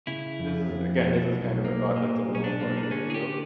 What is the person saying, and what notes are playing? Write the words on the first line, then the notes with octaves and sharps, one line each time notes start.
this is, again, this is kind of a thought that's a little farther afield
C#3 E4
F2
F2
B2
B1
A#3
A#2
B1
C#4
D4
A#3
D#4
D4
D3 C#4
G#4
G4